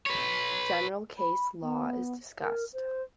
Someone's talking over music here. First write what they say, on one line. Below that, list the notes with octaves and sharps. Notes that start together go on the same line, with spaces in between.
General case law is discussed.
B4 C#5
B5
B3
A#4
C5